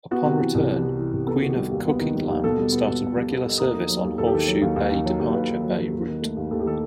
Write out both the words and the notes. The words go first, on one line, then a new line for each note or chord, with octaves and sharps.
Upon return, "Queen of Coquitlam" started regular service on Horseshoe Bay-Departure Bay route.
B3 F#4
C3
E3
C2
B3
C3
E3
C2
B3 A4
G4
D#3 F#4
G4
G3
D#2
B3
D#3
G3
D#2
B2 A4
G3
B3
B2
B2
G3
B3
B2
D#2
D#3
F#3
D#2
D#2 A4
G4
D#3 A4
F#3
D#2
D#2
D#3
F#3
D#2
D#2 B4
D#3
F#3
D#2
D#2
D#3
A3
D#2
D#2 A4
G4
D#3 A4